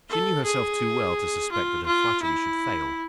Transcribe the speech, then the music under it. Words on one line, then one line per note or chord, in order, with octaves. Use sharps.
She knew herself too well to suspect that her flattery should fail.
A4
G#4
F4
F4
E4